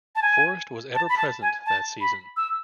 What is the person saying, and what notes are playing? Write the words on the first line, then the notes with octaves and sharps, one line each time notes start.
Forrest was ever-present that season.
A5
G#5
A5
B5
A5
G#5
A5
B5
E6